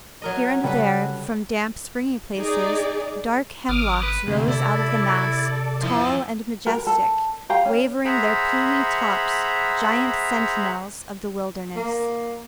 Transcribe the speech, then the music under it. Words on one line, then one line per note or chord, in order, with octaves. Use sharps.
Here and there, from damp, springy places, dark hemlocks rose out of the mass, tall and majestic, waving their plumy tops, giant sentinels of the wilderness.
F#3 A#4 D#5
C#3 G3 A4 B4 F#5
D#4 G#4 D5
G#1 D6 D#6 F6
B4
D2 C3
C3 E4 A4 D5
F3 E4 A4 A6
A#4
A4
G4 F5 G5 A#5
C#4
G#4 C5 E5 F#5 A#5 B5
A#3